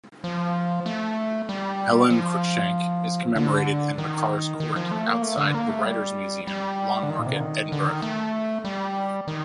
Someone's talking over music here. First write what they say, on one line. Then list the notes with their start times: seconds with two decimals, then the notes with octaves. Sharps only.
Helen Cruickshank is commemorated in Makars' Court, outside The Writers' Museum, Lawnmarket, Edinburgh.
0.24 F3
0.86 A3
1.49 G3
2.10 F3
3.36 D3
3.98 D#3
4.60 D#3
4.76 F3
4.91 A3
5.07 A#3
5.22 A3
5.37 D3
5.54 A#3
5.69 A3
5.85 G3
6.47 G3
7.03 D3
7.10 D#3
7.19 A#2
7.26 C3
7.33 D3
7.40 D#3
7.72 D3
7.87 D#3
8.02 A3
8.64 G3
9.28 D#3